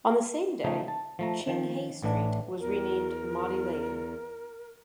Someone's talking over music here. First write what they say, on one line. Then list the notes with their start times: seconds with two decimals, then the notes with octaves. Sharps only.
On the same day, Ching Hay Street was renamed Mody Lane.
0.64 C#3 F3 A3 D#4
0.88 A5
1.19 F3 A3 A#5
1.47 D#3 F3
2.02 A1 A2 E3 D4
2.60 E2 A#4